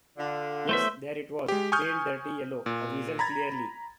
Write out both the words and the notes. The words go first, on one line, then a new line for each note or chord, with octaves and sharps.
Yes, there it was — pale dirty yellow, a weasel clearly.
D3 F4
E2 F#3 A3 B3 C5 E5
G#3 G4
G#5 C#6 D#6 F6 G6
A#2
A#5 B5 G#6 A6